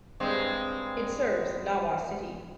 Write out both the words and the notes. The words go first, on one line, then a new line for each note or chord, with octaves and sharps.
It serves Nawa City.
G2 G#3 C4